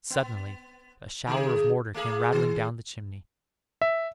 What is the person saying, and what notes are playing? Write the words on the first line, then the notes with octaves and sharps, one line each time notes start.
Suddenly a shower of mortar came rattling down the chimney.
B3
D3 A3 G#4
A3 A#3 G#4
D#3
E5